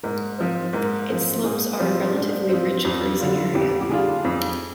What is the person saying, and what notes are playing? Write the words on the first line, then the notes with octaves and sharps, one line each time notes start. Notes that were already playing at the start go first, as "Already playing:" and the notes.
Its slopes are a relatively rich grazing area.
G#2 A#4
F3 C4
G#2 A#4
F3 C4
G#2 G#4
F3 C4
G#2 D4
F3 C4
F2
D3 G3 D4 F4
F2 G4
G4
D3 G3 D4 F4 G#4
F2